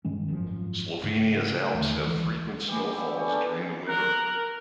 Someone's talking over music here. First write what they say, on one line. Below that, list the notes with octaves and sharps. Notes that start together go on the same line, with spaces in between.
Slovenia's Alps have frequent snowfalls during the winter.
G2 D#3 G#3 C#4
G#1 F#2 C3 F3
G#2 C#3
D#2 D3 D#3 A3
C2 E3 G#3
E3 B3 G4
D3 E3 E4 G4
E4 G4 G#4 C#5
D4 A#4 B4 D5
A#4 F#6